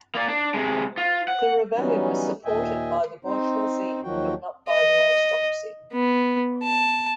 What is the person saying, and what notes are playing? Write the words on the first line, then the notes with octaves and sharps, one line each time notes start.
The rebellion was supported by the bourgeoisie but not by the aristocracy.
A#3 D5
D4
C3 G#3
F4
F#5
E3 F#3 G3 B3 C#4 D#4
D#2 A#2 D#5 E5 G5 G#5
C4 D#4 C5
D#2 D#3 F3 F#3 F#4 G5
D#5
B3
A5